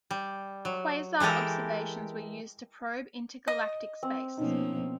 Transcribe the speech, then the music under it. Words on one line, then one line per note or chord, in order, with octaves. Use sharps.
Quasar observations were used to probe intergalactic space.
G3
F#3
E3 G#3 G4 A4 A#4
D#5
C4
B2 F3 A#3 C#4 D#4